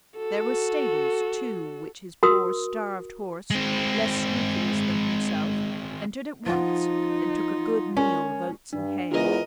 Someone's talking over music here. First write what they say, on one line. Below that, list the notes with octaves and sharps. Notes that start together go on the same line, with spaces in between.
There were stables too, which his poor, starved horse, less scrupulous than himself, entered at once, and took a good meal of oats and hay.
F#4 A4
F#4 A#4 D#6
G#3 C4
F3 D#4 F4 F#5
G#3 C#4 A#4
G2 D4
E2 G#2 F4 G#4 A#4 B4 D#5